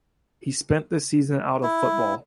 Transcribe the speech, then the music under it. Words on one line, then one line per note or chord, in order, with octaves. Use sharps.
He spent the season out of football.
E4